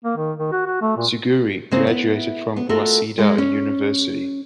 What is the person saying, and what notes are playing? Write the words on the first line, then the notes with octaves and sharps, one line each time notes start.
Suguri graduated from Waseda University.
A#3
D#3
D#3
F#4
F#4
A3
A#2
C#3 A#3 C4
B3 E4
B3
A3 F4 F#4 A4 A#4
G#3
C#4